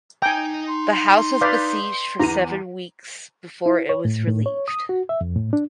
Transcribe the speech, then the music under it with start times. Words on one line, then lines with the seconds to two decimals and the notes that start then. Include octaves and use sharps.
The house was besieged for seven weeks before it was relieved.
0.22 D#4 G5 G#5 A#5
0.68 C6
1.41 B4 D5 F5 D#6 G6 B6
2.20 E2 E3 A#5 D#7
3.66 E4
3.89 C#5
4.05 A2
4.27 A2
4.46 C#5
4.68 D#6
4.89 F#4
5.09 E5
5.21 F2
5.36 A2
5.53 D4